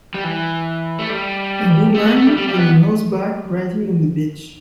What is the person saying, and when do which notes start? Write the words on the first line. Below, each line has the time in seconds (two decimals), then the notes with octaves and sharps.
A woman on horseback, riding on the beach.
0.14 G3
0.24 E3
0.99 A3
1.10 G3
1.95 A3
2.05 B3
2.16 A3
2.27 G3
2.37 G3
2.48 G3
2.58 B3